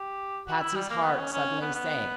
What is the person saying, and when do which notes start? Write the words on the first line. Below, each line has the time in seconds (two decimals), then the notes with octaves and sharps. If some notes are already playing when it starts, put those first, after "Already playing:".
Patsy's heart suddenly sank.
Already playing: G4
0.48 F#4
0.61 E4
0.76 G3
0.90 A#3
1.04 B3
1.19 C#4
1.32 C#4
1.62 B3
1.75 B3